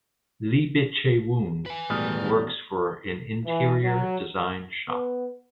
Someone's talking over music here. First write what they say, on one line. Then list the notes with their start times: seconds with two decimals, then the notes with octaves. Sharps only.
Lee Bit Chae Woon works for an interior design shop.
1.66 B4 G#5
1.90 E1 A2 G3 D#6 F6
3.45 E3
3.83 F#3
4.88 B3